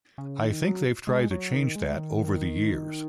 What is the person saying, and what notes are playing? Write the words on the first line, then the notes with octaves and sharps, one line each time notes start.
I think they've tried to change that over the years.
C#3
D#3
F#3
G#3
F#3
D#3
G#3
D#3